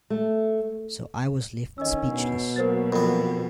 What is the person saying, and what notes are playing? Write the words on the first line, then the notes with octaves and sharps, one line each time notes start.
So I was left speechless.
A3
D3 D#3 C#4 D#5 E6
B2
F#3 A#3 A#4 C5 A6
F2 B3 A#4